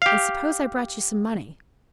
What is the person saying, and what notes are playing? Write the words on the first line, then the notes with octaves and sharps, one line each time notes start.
"And suppose I brought you some money?"
G4 F5